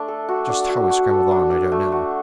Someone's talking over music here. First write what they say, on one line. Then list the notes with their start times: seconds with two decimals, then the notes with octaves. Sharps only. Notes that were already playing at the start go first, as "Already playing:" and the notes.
Just how we scrambled on I don't know.
Already playing: A3 D4
0.08 A4
0.29 F#4
0.49 D4
0.70 F#4
0.90 F#4
1.11 A4
1.31 D4
1.51 D4
1.72 A3
1.92 F#4